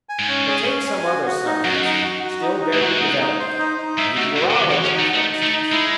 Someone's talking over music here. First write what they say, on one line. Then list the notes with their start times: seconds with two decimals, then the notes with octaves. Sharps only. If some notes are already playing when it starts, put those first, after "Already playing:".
But take some other science still barely developed: meteorology, for instance.
0.09 G#5
0.19 G#2
0.28 C#4
0.48 G#4
0.67 C#4
0.87 G#5
1.06 F#4
1.26 F#4
1.46 D#4
1.64 F#2 F#4
1.85 D#4
2.03 F#4
2.23 F#4
2.42 D#4
2.61 D#4
2.74 A2
2.81 G#2 F#4
3.00 D#4
3.19 D#4
3.39 C5
3.59 D#4
3.78 D#4
3.98 G#2 E5
4.17 A2 F#4
4.35 G#2 F#4
4.50 C#3
4.56 D#3 F#4
4.70 E3
4.75 F#4
4.84 C#4
4.94 D#4
4.99 A3
5.14 A3 D#4
5.32 D#4
5.43 A3
5.53 D#4
5.72 G#3 E4